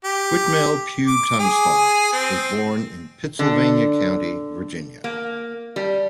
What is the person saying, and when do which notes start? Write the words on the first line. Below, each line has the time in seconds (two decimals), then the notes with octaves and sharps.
Whitmell Pugh Tunstall was born in Pittsylvania County, Virginia.
0.04 G4
1.07 D6
1.40 G#4
2.13 C4
3.39 D3
5.04 A#3
5.76 G3